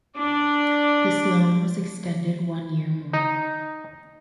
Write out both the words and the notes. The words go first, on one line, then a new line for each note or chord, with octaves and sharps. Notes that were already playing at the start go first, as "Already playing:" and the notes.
This loan was extended one year more.
D4 D5
D#4